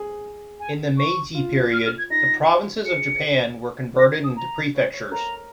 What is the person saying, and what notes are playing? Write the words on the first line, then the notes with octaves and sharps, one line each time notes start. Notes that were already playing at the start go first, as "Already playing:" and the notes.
In the Meiji period, the provinces of Japan were converted into prefectures.
Already playing: G#4
G#5
C#6
F4
F6
F6
G#6
D#4 A#6
G#4 C#7
A#4 A#6
G#6
D#6
A#5
C#5
C#5
A#4 A#5